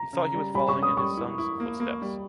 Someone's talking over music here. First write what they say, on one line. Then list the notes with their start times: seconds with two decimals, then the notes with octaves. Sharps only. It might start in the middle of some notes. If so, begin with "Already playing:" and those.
He thought he was following in his son's footsteps!
Already playing: A#5
0.13 C#3
0.34 G3
0.54 G3 B5
0.69 C#6
0.76 C#4
0.83 D#6
0.97 G3 C#6
1.17 E4
1.38 E4
1.60 A#3
1.80 A#3
2.02 G3